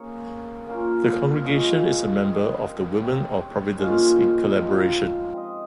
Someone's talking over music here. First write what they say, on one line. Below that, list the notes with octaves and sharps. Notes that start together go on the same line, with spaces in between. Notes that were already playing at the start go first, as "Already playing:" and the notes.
The congregation is a member of the Women of Providence in Collaboration.
Already playing: A#3 C#4 G#4 C#5
A#3 C#4 F4 A#4
F3 G#3 C#4 G#4
C4 G4 C5 D#5
C4 G4 C#5
A#2 G#3 C#4 F4
F3 G#3 C4 D#4
C4 G4 C5 D#5